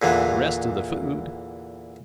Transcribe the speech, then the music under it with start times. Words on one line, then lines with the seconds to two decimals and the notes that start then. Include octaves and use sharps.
"The rest of the food?"
0.02 E2 A#2 D3 E3